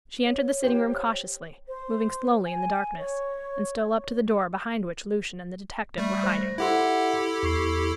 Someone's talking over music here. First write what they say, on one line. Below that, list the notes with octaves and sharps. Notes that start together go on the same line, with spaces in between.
She entered the sitting-room cautiously, moving slowly in the darkness, and stole up to the door behind which Lucian and the detective were hiding.
C#5
G4 C5
C5
G#5
C#5
G3 A3
C5 F#6 A#6
E4 G4 A4 E5 F#5 C6
E2 C#6 C7